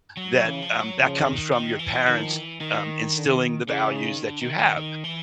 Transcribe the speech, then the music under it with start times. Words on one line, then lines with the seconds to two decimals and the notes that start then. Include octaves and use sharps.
that um, that comes from your parents, um, instilling the values that you have,
0.17 F#3
0.44 C#3 E3
0.62 F3
0.81 F#3
0.98 C#3 F3
1.26 D#3
1.52 D#3
1.79 E3
2.06 D#3 F3
2.34 E3
2.61 D#3
3.15 D3
3.68 C#3 E3
3.96 D#3
4.23 D3
4.41 D#3
4.59 D#3
4.77 D#3
5.04 E3